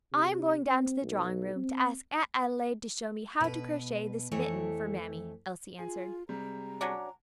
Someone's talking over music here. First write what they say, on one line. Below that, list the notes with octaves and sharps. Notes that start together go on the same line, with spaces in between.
"I am going down to the drawing-room to ask Aunt Adelaide to show me how to crochet this mitten for mammy," Elsie answered.
C3
C4
B1
C4
B2 B4
F2 E3 A3 C#5
F4 G#4 G#5
C3 G3 G#3 A#5
F#3 C#4 D4